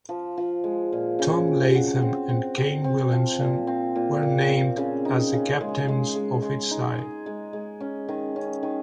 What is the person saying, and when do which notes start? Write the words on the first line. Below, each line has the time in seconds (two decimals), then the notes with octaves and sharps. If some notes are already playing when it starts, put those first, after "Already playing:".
Tom Latham and Kane Williamson were named as the captains of each side.
0.09 F3
0.37 F3
0.64 G#3
0.93 A#2
1.19 C#3
1.48 C4
1.75 F#4
2.02 C4
2.29 C4
2.57 C4
2.84 C4
3.12 F3
3.40 A#2
3.67 C4
3.96 A#2
4.23 A#2
4.49 C4
4.77 C#3
5.05 D#4
5.33 C#3
5.61 G#3
5.88 G#3
6.15 G#3
6.42 G#3
6.71 D#4
6.98 G#4
7.26 G#3
7.53 G#3
7.80 C#4
8.08 D#3
8.36 C#4
8.63 D#3